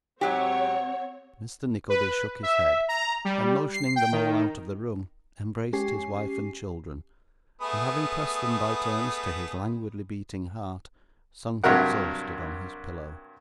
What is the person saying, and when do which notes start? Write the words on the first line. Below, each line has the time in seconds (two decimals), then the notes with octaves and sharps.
Mr Nickleby shook his head, and motioning them all out of the room, embraced his wife and children, and having pressed them by turns to his languidly beating heart, sunk exhausted on his pillow.
0.21 G#2 F#3 C4 G4 C#5 F#5
1.89 B4
2.43 E5
2.88 A#5
3.25 G3
3.73 C7
3.96 G5
4.12 D#3
5.73 G#3 C#4 G4 G#5 C#6 C7
7.61 A3 B3 G#4
11.64 G2 C3 F#3 A#4 F#5